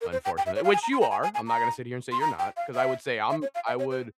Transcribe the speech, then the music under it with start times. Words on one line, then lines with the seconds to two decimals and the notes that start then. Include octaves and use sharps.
Unfortunate which you are, I'm not gonna sit here and say you're not 'cause I would say I'm I would,
0.01 A#4
0.12 C5
0.25 G5
0.37 G5
0.46 E5
0.56 C#5
0.64 F5
0.74 G#5
0.83 A#5
0.92 C6
1.01 A#5
1.11 G#5
1.23 G#5
1.35 G#5
1.47 A#5
2.12 C6
2.21 A#5
2.39 G5
2.57 F5
2.75 E5
3.30 E5
3.42 C#5
3.55 F5
3.67 E5
3.79 C#5
3.91 C5